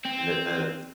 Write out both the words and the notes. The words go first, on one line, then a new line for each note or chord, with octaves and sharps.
And, eh, that
C4